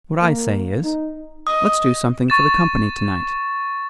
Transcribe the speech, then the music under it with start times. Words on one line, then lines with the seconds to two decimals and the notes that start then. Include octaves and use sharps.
What I say is, let's do something for the company tonight.
0.21 A#3
0.83 D#4
1.47 D#5 D#6
2.28 C#6 A6 E7